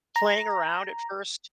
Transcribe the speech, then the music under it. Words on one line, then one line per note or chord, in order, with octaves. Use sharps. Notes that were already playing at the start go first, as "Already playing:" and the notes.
playing around at first.
A#5